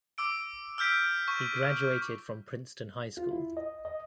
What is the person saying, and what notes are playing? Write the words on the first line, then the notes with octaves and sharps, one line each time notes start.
He graduated from Princeton High School.
D6 E6 D7
E6 F6 G6 B6 D7
C#6 D#7
F4
E4
D#5
D#5